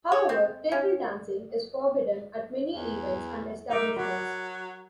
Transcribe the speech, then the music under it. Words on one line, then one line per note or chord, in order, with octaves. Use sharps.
However, table dancing is forbidden at many events and establishments.
C#5
C4
C#4
E2
D#4 A#4 E5 D6
F#3 F#4 D5 B5